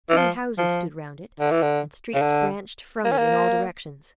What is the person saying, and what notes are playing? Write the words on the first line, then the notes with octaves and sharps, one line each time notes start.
Pretty houses stood round it, and streets branched from it in all directions.
E3
F3
F3
D3
E3
D3
C#3
D3
A#3
C#4
A#3